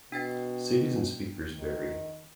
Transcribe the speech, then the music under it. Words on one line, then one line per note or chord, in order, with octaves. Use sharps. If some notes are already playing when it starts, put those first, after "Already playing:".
Cities and speakers vary.
B2 D4 G5 A6
D#3